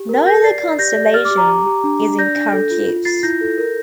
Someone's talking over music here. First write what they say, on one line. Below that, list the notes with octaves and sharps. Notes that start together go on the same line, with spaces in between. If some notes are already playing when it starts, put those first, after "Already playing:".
Neither constellation is in current use.
Already playing: G4
A#4
A#4 G6 A#6
D5 A6 C7
D5
G4 G6 A#6
D5
G4 F6 A6
D6 F6
G4
A#5 D6
G4
G4
D4
D4
D5 G6 A#6
D4
A4
F4
F4
F4 A6 C7
E4 G6 A#6
A4
A#4